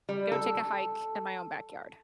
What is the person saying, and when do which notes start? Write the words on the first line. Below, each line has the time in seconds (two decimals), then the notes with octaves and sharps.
Go take a hike in my own backyard.
0.09 G3
0.32 A4